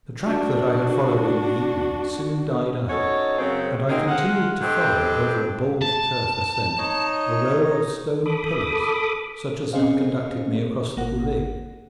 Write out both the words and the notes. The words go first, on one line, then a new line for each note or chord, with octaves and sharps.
The track that I had followed in the evening soon died out, and I continued to follow over a bald turf ascent a row of stone pillars, such as had conducted me across the Goulet.
D4 F#4
C#4 D#4 F#4 A4 C#5
F#2 C#3 F#3 C4
A#3 C4 D#4 F#4 G#4
G#3 F5 F#5
G2 C4 G4 A4 D#5
A5
D#4 C#5 D#5
A4 B5 D6 D#6
C4 C#4 G#4 C5 D#5 F5
G#1 A#3 F#5